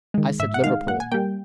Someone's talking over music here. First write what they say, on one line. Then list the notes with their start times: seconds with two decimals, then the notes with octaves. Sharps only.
"I said Liverpool."
0.14 D#3 G#3
0.39 G#2 E5
0.54 F#5
0.64 D#3 G#3 F5
0.87 A#2 F#5
1.00 G#5
1.12 G3 A#3 G5